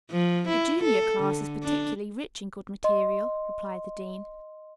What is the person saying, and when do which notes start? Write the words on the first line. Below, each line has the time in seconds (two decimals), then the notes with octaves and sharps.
"The junior class is particularly rich in good material," replied the dean.
0.11 F3
0.49 E4
0.83 A4
1.19 D3
1.63 D4
2.84 D#5 C6